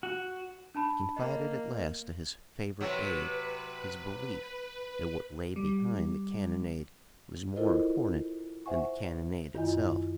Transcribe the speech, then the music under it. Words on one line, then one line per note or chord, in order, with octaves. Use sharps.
He confided at last to his favorite aide his belief that what lay behind the cannonade was more important than the cannonade itself.
F#4
D4 A5 B5
A#3 D#5
C3 F#3 B4
G3
E4 F4 A4 A#4 C5 D#5
C5 E5 F#5 G#5 C#6
F#2 D#3 E4 F4 D#5 G#5